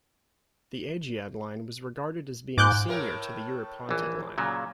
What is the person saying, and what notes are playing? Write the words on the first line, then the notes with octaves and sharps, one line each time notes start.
The "Agiad" line was regarded as being senior to the "Eurypontid" line.
G#2 D6 F#6 G6
A2 A3 A#4
A#1 E3
A#2 C#3 F#3